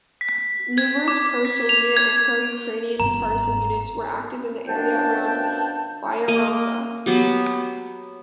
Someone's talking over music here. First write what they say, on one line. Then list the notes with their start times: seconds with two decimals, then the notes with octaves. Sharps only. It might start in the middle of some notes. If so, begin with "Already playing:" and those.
Numerous pro-Soviet and pro-Ukrainian partisan units were active in the area around Byaroza.
0.21 B6
0.78 G#6
1.08 D6
1.45 B6
1.69 F7
1.97 G#6
3.00 G1 G#2 A#5
4.69 F#2 B2 F3 D4 G5 A5
6.28 A#3 D#5
7.06 F#3 B3 G4